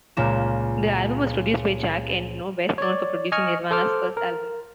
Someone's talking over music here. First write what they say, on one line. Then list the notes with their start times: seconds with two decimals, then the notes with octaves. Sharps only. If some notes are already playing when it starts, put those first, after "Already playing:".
The album was produced by Jack Endino, best known for producing Nirvana's first album.
0.17 C#2 A#2 A#3 E7
2.78 C#5 D5
3.32 D#5 G#5 C#6 F6
3.71 A4 C5 D6 F6
4.17 A#4